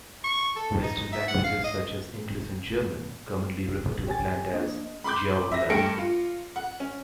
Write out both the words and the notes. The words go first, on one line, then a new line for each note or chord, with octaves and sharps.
Western languages such as English and German commonly refer to the plant as jiaogulan.
C#6
A4
D#4
E5
F#5
F5
D#5
G4 C#5 G#5 A6
A#3 D4 D#5
B5 C6 D6 G6
E5 A#6
G2 A3 A#3 G4 C#7 D7
F4
F#5
C#4